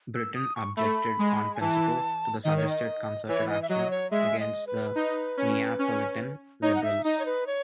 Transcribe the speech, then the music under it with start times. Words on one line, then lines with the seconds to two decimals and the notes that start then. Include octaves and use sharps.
Britain objected, on principle, to the suggested concerted action against the Neapolitan Liberals.
0.14 E6
0.35 D#6
0.56 C#6
0.76 A3 B5
1.19 G#3
1.55 G#5
1.60 E3 A5
2.44 D#3 D#5
2.57 C#5
2.70 D#5
3.28 E3 C#5
3.49 D#5
3.62 E5
3.69 F#3 D#5
3.91 C#5
4.11 G#3 E5
4.40 D#5
4.67 B4
4.95 D#4
5.37 C#4
5.79 C#4
6.62 D#4 C#5
6.75 F#5
6.83 E5
7.04 D#4 D#5
7.19 C#5
7.26 B4
7.47 C#5